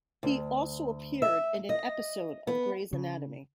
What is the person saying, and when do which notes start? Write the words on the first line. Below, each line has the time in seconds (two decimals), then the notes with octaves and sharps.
He also appeared in an episode of "Grey's Anatomy".
0.23 D2
1.22 E5
1.69 D#5
2.47 B3
2.93 C#3